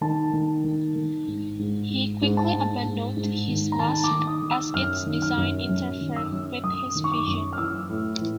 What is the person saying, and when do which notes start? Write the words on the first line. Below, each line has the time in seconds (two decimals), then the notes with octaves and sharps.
He quickly abandoned his mask as its design interfered with his vision.
0.01 D#3 A5
0.33 D#3
0.64 D#3
0.96 D#3
1.27 G#2
1.59 G#2
1.90 G#2
2.22 G#2
2.37 A5
2.53 G#2
2.85 G#2
3.17 G#2
3.48 D#3
3.72 A#5
3.79 D#3 A5
4.04 D6
4.11 D#3
4.27 D#6
4.42 D#3
4.51 E6
4.74 F#2 F6
5.06 D#3
5.22 F6
5.37 F#2
5.69 F#2
6.01 D#3
6.16 E6
6.32 F#2
6.64 F#2 D#6
6.95 D#3
7.04 C#6
7.12 D6
7.27 F#2
7.53 F6
7.58 E3 E6
7.90 A2
8.21 E3